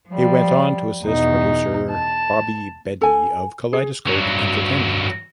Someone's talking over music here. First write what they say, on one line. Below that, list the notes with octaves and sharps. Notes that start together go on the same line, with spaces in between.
He went on to assist Producer Bobby Bedi of Kaleidoscope Entertainment.
F3 G3
E2 B2 D#4
A5
A4 G#5
G#4
G2 F#3